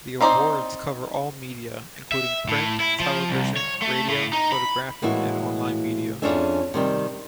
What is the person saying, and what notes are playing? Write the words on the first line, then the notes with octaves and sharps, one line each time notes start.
The awards cover all media including print, television, radio, photographic and online media.
C4 D#4 C5 D5
E5
A2
E4
F3
C2
C#5
A3
A2
D#4
B5
A2 E3 G#3 A#3 E4 F#4
F2 B2 C#4 D4 G#4 E5
C3 D#3 G3